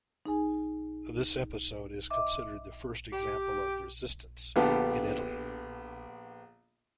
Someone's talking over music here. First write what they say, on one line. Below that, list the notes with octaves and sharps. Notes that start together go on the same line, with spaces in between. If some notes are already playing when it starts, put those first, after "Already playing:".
This episode is considered the first example of Resistance in Italy.
D#4 G#4 G#5
D#5 E5 D6
G4
A#1 D3 B3 G4 F5 A5